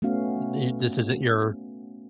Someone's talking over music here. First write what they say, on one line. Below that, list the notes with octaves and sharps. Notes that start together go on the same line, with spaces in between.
Th this isn't your,
A3 B3 C#4 F#4 F5